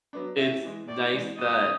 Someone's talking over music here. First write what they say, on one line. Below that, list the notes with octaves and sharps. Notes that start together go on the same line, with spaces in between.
it's nice that
F#3 B3 D4
A2 E5
E3 G#3
A2 D5
E3 G#3
G1 D#5
C#3